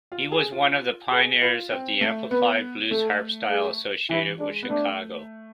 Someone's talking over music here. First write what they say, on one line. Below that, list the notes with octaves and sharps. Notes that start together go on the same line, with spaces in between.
He was one of the pioneers of the amplified blues harp-style associated with Chicago.
F4
G#4
F4
G#4 B4
F4 B4
C4
A3
B3 B4
A3 A4
G#4
E3 E4
G#3 D4
B3
A3 D4